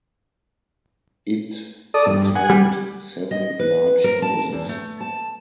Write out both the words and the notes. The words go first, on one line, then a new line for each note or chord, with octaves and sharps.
It contained seven large houses.
A4 D5 D#6
G2
F#5 G#5
G3
D#5
B4
A#4
A5
E2
A3
A5